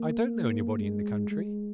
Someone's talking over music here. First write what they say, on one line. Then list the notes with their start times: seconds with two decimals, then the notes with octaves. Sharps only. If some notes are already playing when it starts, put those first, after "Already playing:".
I don't know anybody in the country.'
Already playing: A#3
0.79 G#3
1.31 G#3